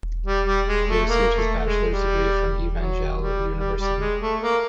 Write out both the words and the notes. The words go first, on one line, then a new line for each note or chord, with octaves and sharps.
He received his bachelor’s degree from Evangel University.
G3
G3
G#3
A3
A#3
A3
G#3
G3
F#3
G3
G3
G3
G#3
A3
A#3